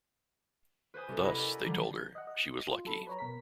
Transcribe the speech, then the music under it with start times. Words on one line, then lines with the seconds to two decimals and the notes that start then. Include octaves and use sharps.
Thus, they told her, she was lucky.
0.94 B4 C5 G#5 D#6
1.08 C3 C#4 A4
1.23 E4 F#4 G4 B4 D#5 B5
1.37 A#4 D5 G#5
1.51 A#5
1.64 D3 E3 F3 G3
2.15 D#5 F#5
2.27 D#5
2.67 F4
2.85 F#3 A4 B5
3.07 B4 C#5 A#5
3.19 B2 A#4 B6